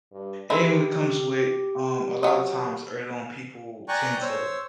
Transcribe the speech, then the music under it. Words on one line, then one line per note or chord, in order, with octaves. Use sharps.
And when it comes with um, a lotta times, early on, people tend to
G2
G#3 E4 G4
F#3 D#5
D5 G5 G#5 A#5 C#6 F#6
C5 C#5 E6